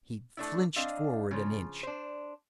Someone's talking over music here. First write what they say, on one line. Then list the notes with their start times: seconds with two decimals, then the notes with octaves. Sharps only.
He flinched forward, an inch.
0.37 A3 D4 E4
0.76 C4 D4 D#5 F5
1.31 C#3 F3
1.83 D4 C5